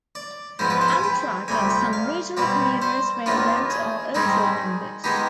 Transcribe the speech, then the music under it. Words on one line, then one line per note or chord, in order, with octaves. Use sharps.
Amtrak and some regional commuter railroads are also members.
D5
G#2 F3 B3 C5
B4
C5
B5
G#5
G5
D2 C3 G3 G#5
G5
F5
B2 G3 C4 D5
C5
D#2 D#3 B3 D4 F4
G#4
G#2 D#3 G3 C4 D#4 G#4
D#3 G#3 B3 D#4 G4